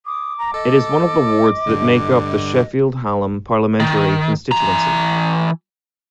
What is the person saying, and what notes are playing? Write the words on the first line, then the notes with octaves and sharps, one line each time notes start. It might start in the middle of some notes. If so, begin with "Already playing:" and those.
It is one of the wards that make up the Sheffield Hallam parliamentary constituency.
D6 D#6
A#5
A4 D#5
G2 D3
D#3
E3 A#5